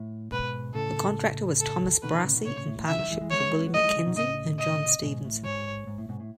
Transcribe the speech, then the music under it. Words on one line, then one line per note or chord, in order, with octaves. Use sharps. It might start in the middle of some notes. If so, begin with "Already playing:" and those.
The contractor was Thomas Brassey in partnership with William Mackenzie and John Stephenson.
Already playing: A2
G#2 B2 B4
A2 C#3 A4
A4
B2 D#3 B4
B2 D#3
A2 C#3
B2 D#3
A2 C#3 C#5
A2 C#3
A2
A2
C#3 E3 E5
D#3 F#3
E3 G#3
E3 G#3
G#3 B3 C#5
C#4
B3
F#3 A3 D#5
E3 G#3
F#3
C#3 E3
B2 D#3
A2 C#3 D#5
D#5
G#2 B2
A2
G#2 C#5
G#2
A2
G#2 B2
A2